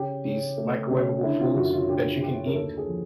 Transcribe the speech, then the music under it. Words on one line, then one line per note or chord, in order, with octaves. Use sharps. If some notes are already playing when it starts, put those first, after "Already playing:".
these microwavable foods that you can eat.
Already playing: C#3 G4
C#3
A3
C#3
D3 E4
F4
F#2 F#4
F4
D3 G4
D3 G4
A#4
D#2 A4
G#4
F3